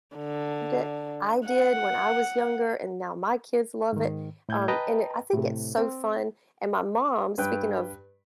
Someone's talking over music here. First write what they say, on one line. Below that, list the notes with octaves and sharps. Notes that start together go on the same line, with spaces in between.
it. I did when I was younger, and now my kids love it. Um, and it I think it's so fun. And my mom, speaking of,
D3
F#5
G#2 D#3
A2 G6 G#6
B4 D#5 G5 A5 A#5
A2 C3
C4
G2 B4 G5